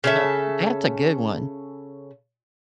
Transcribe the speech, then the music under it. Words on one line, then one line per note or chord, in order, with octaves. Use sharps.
No that's a good one.
C#3 A4 E5